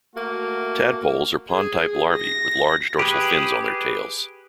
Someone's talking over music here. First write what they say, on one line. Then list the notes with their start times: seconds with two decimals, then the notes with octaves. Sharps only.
Tadpoles are pond type larvae with large dorsal fins on their tails.
0.15 A3 A#3 F#4
1.52 G#4
2.16 A#6
2.99 G4 G#4 B4